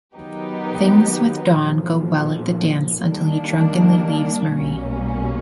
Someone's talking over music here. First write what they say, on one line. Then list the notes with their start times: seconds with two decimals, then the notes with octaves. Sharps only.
Things with Don go well at the dance until he drunkenly leaves Marie.
0.15 D#3 F#3 B3 D#4 G4
1.62 B1 A#2 F3
3.08 D#3 G3 A#3 D4
4.55 B1 B2 G3 A#3 C#4